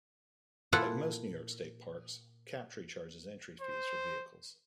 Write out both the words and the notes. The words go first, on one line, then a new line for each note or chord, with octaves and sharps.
Like most New York State Parks, Captree charges entry fees for vehicles.
A#2 E4 F4 A4 F#5
C5